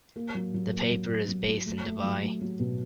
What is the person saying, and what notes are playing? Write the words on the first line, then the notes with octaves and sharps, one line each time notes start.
The paper is based in Dubai.
A#3
F#3
F#3
A#3
F#3
F#3
F#3
F#3
A3
A3
F#3
A3
F#3
B2